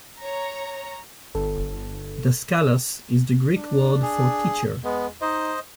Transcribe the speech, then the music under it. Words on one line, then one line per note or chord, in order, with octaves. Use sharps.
Daskalos is the Greek word for teacher.
C#5 A#5
G1 A4
D4
G#4
G#3 B3
D#4 C5 D#5